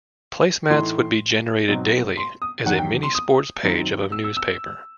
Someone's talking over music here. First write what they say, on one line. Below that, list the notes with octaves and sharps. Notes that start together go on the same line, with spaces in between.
Place mats would be generated daily as a mini-sports page of a newspaper.
A2 E3 A3 D#4 C6
B2 F#3 C4 D#4
C6
D#6
E2 D#3 F#3 F#5
G5
C6
D#6
F#2 D#3 F#3 C4 D#4
E6
E6
E6